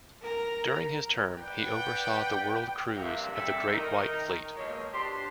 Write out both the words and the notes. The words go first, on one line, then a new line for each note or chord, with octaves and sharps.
During his term, he oversaw the world cruise of the Great White Fleet.
A#4 A#5
B4 D5 F#5 G5
G2 C3 G3 A#3 E5 F#5
G3 C4 E4 A4 E5
D#3 D#4 A#4
B2 F3 F#3 G#3 A#3 C#5
B2 D4 G4 C5 C6